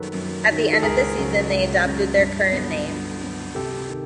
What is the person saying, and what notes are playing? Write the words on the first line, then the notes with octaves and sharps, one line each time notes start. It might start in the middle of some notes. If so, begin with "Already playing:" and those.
At the end of the season they adopted their current name.
Already playing: F#2 D#3 F#3 A4 B4
F#2
D#3 F#3
A4
C#2 G#4 A#4
C#3 F#3
C#2
C#3 F#3
G2
D3 F#3 B3
G2
D3 F#3 B3
C3 G4 A4
D#3